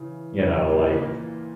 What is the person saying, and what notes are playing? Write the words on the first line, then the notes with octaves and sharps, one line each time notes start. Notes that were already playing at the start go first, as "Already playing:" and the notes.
You know, like
Already playing: C#3 E3 C#4
C#3 C#4
A#2 A#3
G#2 F#3 G#3
E3
C#2 C#3
E3
A#2 A#3